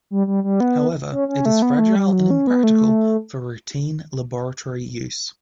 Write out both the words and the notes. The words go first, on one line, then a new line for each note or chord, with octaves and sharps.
However, it is fragile and impractical for routine laboratory use.
G3
G3
G3
B3
C#4
C#4
A3
B3
A3
G3
F#3
C#4
B3
A3